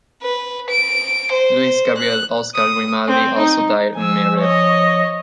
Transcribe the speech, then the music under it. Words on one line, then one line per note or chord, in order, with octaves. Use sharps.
Louis-Gabriel-Oscar Grimaldi also died unmarried.
B4
D7
C5
F#6
D#6
C4
D#4
F3 G#5 E6
C#5 D#5